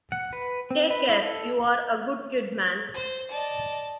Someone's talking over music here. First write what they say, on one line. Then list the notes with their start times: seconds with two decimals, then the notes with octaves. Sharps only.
Take care, you're a good kid, man.
0.12 F#5
0.33 B4
0.71 C4
0.90 B4
1.09 E4
1.22 A4
2.94 C5
3.31 D5 D#5 A5